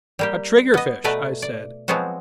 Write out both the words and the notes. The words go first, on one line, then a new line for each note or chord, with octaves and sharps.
"A triggerfish," I said.
G3 A#3 G4
B3 D#5
B2 A3 B4 D5 A#5
D5
F3 F#3 G#3 B3 C4 F#4